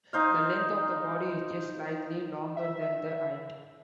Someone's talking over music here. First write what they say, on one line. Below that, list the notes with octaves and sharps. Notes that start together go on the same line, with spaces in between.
The length of the body is just slightly longer than the height.
D#4 C5 F5
E5